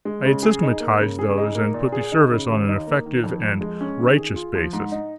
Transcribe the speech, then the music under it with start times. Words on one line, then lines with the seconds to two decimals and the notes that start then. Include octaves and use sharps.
I had systematized those, and put the service on an effective and righteous basis.
0.05 G#3
0.25 C#3
0.43 G#4
0.63 D#4
0.80 A#3
1.00 C#3
1.19 G#4
1.37 D#4
1.55 A#3
1.74 A#2
1.92 G#4
2.12 D#4
2.31 C#3
2.50 D#2
2.68 D#4
2.87 A#3
3.06 D#3
3.24 F2
3.43 F2
3.61 G#3
3.81 C#4
3.99 D#3
4.17 G#4
4.36 F4
4.55 F3
4.73 G#2
4.92 D#4